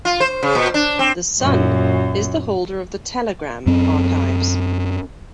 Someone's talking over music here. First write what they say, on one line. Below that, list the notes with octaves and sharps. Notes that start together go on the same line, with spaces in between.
The "Sun" is the holder of the "Telegram" archives.
F4
C5
C#3
A#2
D4
C4
F#2 A#2
F#2 C4